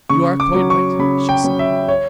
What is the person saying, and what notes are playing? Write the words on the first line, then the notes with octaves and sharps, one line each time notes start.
'You are quite right,' she said.
C#3 C#6
D6
F#3 C#4
C#6
C#3 B5
G5
F#3 C#4
E5
C#5